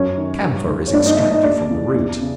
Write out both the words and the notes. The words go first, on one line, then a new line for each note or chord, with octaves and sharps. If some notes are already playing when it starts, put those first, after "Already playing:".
Camphor is extracted from the root.
Already playing: F#2 C#4 C#5
D#3
G2
D#3
C#5
G2 D4 D5
D#4 D#5
E5
D#3 D#4 D#5
D#4 D#5
D#2 D4 D5
C#3 E3
E2
C#3